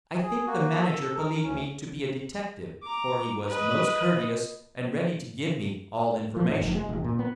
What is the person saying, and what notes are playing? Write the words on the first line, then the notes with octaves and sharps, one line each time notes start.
I think the manager believed me to be a detective, for he was most courteous, and ready to give me all information.
G#4
A#3 F#4
A4
A#4
D2 C#4
A#5 D6
B4 D#5 B5
F3
G#2
F1
G#3
E1
A#2
B3